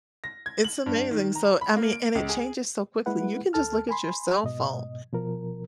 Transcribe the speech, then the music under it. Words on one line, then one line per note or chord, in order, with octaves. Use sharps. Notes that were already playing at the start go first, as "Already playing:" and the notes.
It's amazing, so, I mean and it changes so quickly; you can just look at your cell phone.
A#6
G#6
F#7
G2
D#3
A#5
B5
A#3
D7
C#2
G#4
G#3 A#3 E4 B4 F#5
D2 A4 A5 F6
G#5 B5 C6
G#2 B2 D#5
B2 F3 A#4